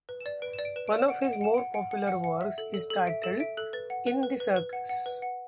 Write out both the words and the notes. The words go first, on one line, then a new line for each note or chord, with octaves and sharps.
One of his more popular works is titled "In The Circus".
B4
E7
D5
B4 D7
E7
D5
D7
B4 E7
D5 D7
E7
F#5 D7
F#5 E7
D7
F#5 E7
F#5 D7
F#5 D7
F#5
F#5
F#5
E5
A4
A4
A4
E5 D7
A4 E7
E5 D7
A4 F#6
B4 A6
F#5
B4
B4
B4
B4
F#5
F#5
B4
F#5